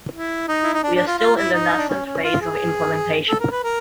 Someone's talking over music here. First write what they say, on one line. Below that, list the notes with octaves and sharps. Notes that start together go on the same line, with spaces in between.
We are still in the nascent phase of implementation.
E4
D#4
E4
D#4
D4
D4
F4
F4
E4
D#4
D4
C#4
C#4
F4
G#4
A4
A#4
B4
A#4